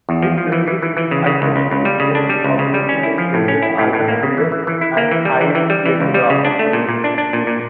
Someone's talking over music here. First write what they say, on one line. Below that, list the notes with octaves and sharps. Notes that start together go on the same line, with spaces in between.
It received wide distribution and recognition when printed as a Currier and Ives lithograph.
E2
F3
F3
E3
E3
E3
E3
C#3
C#3
C#2
C#2
C#2
G3
C#3
D4
G3
C#2
C#3
G3
C#4
E4
F3
A2
C#4
E4
A2
A2
A#3
C#3
E3
E3
E3
E4
A#3
E3
G3
E3
E3
G3
E3
C#2
G3
C#3
D4
A3
A#2
A#2
D4
D4
A#2
A#2